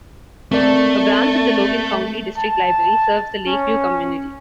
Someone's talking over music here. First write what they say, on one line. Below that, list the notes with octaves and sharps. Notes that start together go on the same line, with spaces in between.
A branch of the Logan County District Library serves the Lakeview community.
A3 C4 A#4 D5
A5
C#4